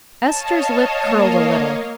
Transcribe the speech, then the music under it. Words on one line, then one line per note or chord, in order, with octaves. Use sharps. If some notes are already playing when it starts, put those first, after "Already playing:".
Ester's lip curled a little.
C#5 D#5 F5 A5
A#3